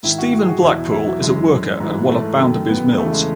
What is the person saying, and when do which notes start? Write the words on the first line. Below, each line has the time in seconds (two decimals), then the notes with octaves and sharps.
Stephen Blackpool is a worker at one of Bounderby's mills.
0.03 G#2 D#3 E4
0.18 F#4
0.32 F#4
0.42 G#4
0.48 F#4
0.62 E2 B2 E4
0.92 E4
1.06 F#3
1.22 F#2 E3 G#3
1.80 G#2 E3
2.09 A3
2.39 F#2 D#3
2.68 B3
2.98 E2 C#3 E3 A3
3.13 G#3